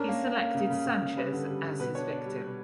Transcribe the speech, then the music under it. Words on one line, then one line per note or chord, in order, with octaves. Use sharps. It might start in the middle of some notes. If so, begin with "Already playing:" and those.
He selected Sanchez as his victim.
Already playing: C#4 D4 A#4
A#3
A#3
A#3
C#3
C#3
C#3
C#3
G3 B4
D3
G3
G3
B2 B4
D4 C#5
D4 D5
G3